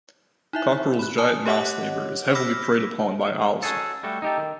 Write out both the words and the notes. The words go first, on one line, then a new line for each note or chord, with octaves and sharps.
Coquerel's giant mouse lemur is heavily preyed upon by owls.
D#4 E4 E5
B5 F#6
G#5 A5 D#6 F6
G4 C#5 D#5 F#5 D6 F#6
B5 D6 E6 F6 A#6 B6
C#4 F#4 G#4 A4
G3 A3 F#4 A4
D#4 G4 A4
D#3